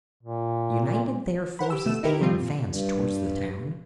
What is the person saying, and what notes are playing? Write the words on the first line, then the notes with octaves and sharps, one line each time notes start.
Uniting their forces they advanced towards the town.
A#2
A#4 C5 F#5 B5
G4 E6
B2 A3 E6 E7
D#4 E4 G4 A#4 B4
D#3 F3 G3 C4 F4
A#2
G2